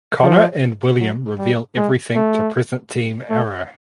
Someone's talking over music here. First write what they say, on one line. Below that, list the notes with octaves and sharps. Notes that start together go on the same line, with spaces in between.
Connor and William reveal everything to Present Team Arrow.
F3
F#3
G3
G#3
A3
A3